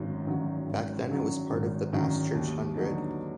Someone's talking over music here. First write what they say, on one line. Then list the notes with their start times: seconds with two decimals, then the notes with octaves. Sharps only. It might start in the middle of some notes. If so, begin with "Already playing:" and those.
Back then it was part of the Baschurch Hundred.
Already playing: G#1 F#2 D#3 F#3
0.25 F#2 D#3 F#3
0.66 G#1
1.08 F#2 D#3 F#3
1.50 G#1
1.92 F#2 D#3 F#3
2.34 D#2
2.75 D3 F#3 B3 D#4